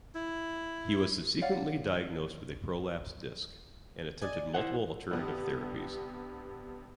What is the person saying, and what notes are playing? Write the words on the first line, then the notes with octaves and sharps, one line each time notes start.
He was subsequently diagnosed with a prolapsed disc, and attempted multiple alternative therapies.
E4
C#5 D5 F5 F#5
D5 D#5 G#5
E4 C5 F#5
G2 C3 G3 B3